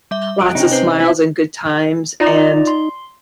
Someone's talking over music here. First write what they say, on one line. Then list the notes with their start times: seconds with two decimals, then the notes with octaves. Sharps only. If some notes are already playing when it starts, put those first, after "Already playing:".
lots of smiles and good times, and
0.11 G3 E5 G7
0.41 F2 F#4 D#5 F#6 D7
0.55 C3 C#4 D#4 G5
0.71 C4 B4 C5
1.00 E4
2.20 D#4 F4 D5 A#5
2.67 C6